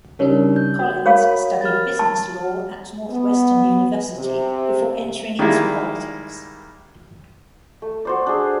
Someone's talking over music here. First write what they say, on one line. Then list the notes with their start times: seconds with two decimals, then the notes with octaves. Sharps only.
Collins studied business law at Northwestern University before entering into politics.
0.19 C#3 G3 D4 D#4 A#4 C#5
0.56 G6
0.80 F#4
1.06 A#4 C#5 F5 B5 D#6
1.61 F6 A6
1.99 A5
3.09 B3
4.15 C3
5.39 D#3 G3 G#3 A#3 E4
7.82 A3
8.05 F#4 C5 D5
8.26 D4 G#4